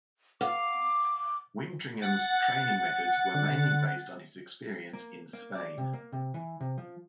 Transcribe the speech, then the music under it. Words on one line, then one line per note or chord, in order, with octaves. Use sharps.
Wintringham's training methods were mainly based on his experience in Spain.
F5 D6
F#5 A6
D3
A#3
A#3
D5
C3
A#3
C3
E3
C3
F3